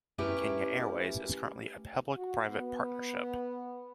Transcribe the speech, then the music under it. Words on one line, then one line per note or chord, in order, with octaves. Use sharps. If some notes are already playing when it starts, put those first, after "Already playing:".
Kenya Airways is currently a public-private partnership.
A3 C#4 E4 G4 A#4 B4
F#4
B3